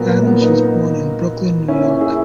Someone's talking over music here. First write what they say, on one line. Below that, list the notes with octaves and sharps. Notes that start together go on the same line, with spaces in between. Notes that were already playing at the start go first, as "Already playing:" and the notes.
Adams was born in Brooklyn, New York.
Already playing: A#2 F#3 B3 F#4 A#4
A#3
B3
B3 D#4
C#4 E4
C#4 E4
E4 G#4